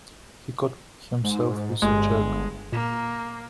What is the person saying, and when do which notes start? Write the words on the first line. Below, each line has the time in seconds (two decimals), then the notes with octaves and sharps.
He caught himself with a jerk.
1.24 G#2
1.82 G1 G#3
2.72 A#2 A#3 B6